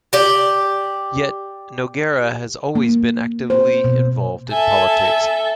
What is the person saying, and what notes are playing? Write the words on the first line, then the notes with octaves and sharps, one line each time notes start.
Yet, Nogueira has always been actively involved in politics.
G4 D5
A#3
C5
B2
A4 E5 G#5 A5